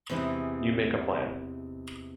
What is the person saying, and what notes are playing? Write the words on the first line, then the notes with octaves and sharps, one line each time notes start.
You make a plan.
E2 C3 E3 G#3 D#4